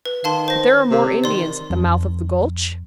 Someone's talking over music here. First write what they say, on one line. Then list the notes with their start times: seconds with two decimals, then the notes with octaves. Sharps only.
"But there are more Indians at the mouth of the gulch?"
0.06 B4
0.24 D#3 F5 A5 C6
0.48 C5 A#6
0.91 C3
1.24 D#3 D5 C6
1.70 F2